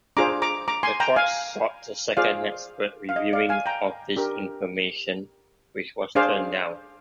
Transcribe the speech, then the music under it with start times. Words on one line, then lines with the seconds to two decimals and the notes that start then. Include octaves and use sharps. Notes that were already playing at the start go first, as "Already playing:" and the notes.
The courts sought a second expert reviewing of this information which was turned down.
0.17 D4 F4 G#4 C5 A#5 D6
0.42 A#5 D6
0.68 A#5 D6
0.83 G#5 C6
1.00 G5 A#5
1.16 F5 G#5
2.17 F4 G#4 C5 D5 F5
3.09 F5
3.16 D#5
3.33 D5 F5
3.49 F5 G#5
3.66 G5 A#5
4.16 D4 G4 A#4
6.15 D4 G#4 C5 D5 F5